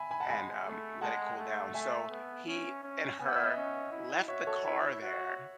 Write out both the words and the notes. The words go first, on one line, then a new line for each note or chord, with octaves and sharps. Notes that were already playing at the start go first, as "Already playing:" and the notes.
and, um, let it cool down. So he and her left the car there,
Already playing: E5 G#5 B5
G#5 B5
F#5 A5
G#3 G#5 B5
A3
G#3 F#5 A5
A3
A3 E5 G#5
B3
C#4
C#4
B3 G#5
F#5
E5
D#5 F#5
C#4
E4
F#4 C#5 E5
A4 C#5
E4 C#5 E5
F#4